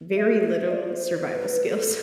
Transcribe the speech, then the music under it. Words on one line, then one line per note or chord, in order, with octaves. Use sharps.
very little survival skills.
E5
E5
E5
D5
C5
C5
B4
A4